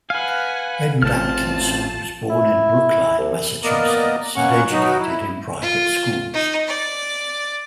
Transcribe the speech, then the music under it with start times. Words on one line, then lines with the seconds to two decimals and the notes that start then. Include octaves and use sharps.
Edward Atkinson was born in Brookline, Massachusetts and educated in private schools.
0.10 B4 F5 F#5 G#5
1.02 A1 C4 F4 A5 F6
2.30 E4
3.18 C2
3.63 A#3 B3 A#4 D5 D#5
4.36 B2 A#3 C#4 F#5 C#6
4.71 B2 F#3 D#4 F#4
5.00 E4
5.62 F4
6.34 D#4
6.67 D5